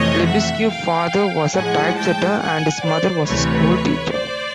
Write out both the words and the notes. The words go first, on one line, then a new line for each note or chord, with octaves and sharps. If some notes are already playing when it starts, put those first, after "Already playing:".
Lebesgue's father was a typesetter and his mother was a school teacher.
Already playing: F2 C3 E3 A3 C#5 D#5
E5 F#5
F5 G5
A2 F3 G#3 F#5 G#5
G5 A5
F#5 G#5
C5 D5
D2 C3 E3 A3 B4 C#5
C5 D5